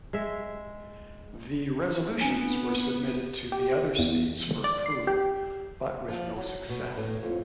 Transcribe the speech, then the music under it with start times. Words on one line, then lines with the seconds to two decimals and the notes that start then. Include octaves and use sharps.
The resolutions were submitted to the other states for approval, but with no success.
0.13 G#3 E5
2.21 B3 C4 D4 G#5
3.52 G4
3.99 E2
4.64 D5
4.86 C7
5.07 G4
6.09 F3
6.36 F#3
6.69 B2
6.98 A2
7.23 F2